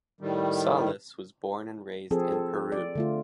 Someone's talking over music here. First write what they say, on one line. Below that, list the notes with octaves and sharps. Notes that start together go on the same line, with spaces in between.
Salas was born and raised in Peru.
A2 D#3 G3
F3 C4 G#4 A4
A4
D5
D3 A3 F4